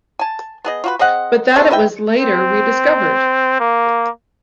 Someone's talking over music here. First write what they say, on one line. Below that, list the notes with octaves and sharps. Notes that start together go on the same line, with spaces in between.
But that it was later rediscovered.
G#5 A5
B3 G#4 D#5
F4 F#4 B4
C4 G#4 D#5 F#5
A3 C4 G#4 A4
B4 D#5 E5 G5
C4
A#3